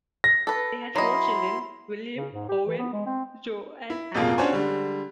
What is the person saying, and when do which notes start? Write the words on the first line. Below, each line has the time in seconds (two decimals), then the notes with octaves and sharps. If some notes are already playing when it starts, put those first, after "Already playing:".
They had four children: William, Owen, Jo and Anna.
0.24 A#6
0.47 A4 B4
0.96 F#3 E4 D#5 C6
2.17 C#3
2.33 G#2
2.49 G4
2.67 E3
2.79 B3
2.93 G#3
3.06 C4
3.90 E4
4.15 A1 F2 B2 A#3 F4 G#4
4.38 C#4 D4 F#4 C5 C#5 G#5
4.53 D3 G3 G#3